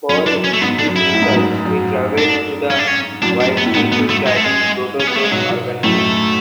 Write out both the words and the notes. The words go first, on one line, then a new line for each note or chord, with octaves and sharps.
For his research he traveled to the White Sea to study protozoan organisms.
F#2 C#4
D4
F#2
C#4
A3
G#2 B3
D4
F#2
E4
A2
G#2
F#2
G#2
F#2
G#2 D4
C#4
D4
C#4
F#2 A2 D4
D4
B3
A2
G#2 B3
B3
A3
G#3
A3
G#3
C#4
B3
A3
G#3
G#2 B2 F#3
F#2 A2 A3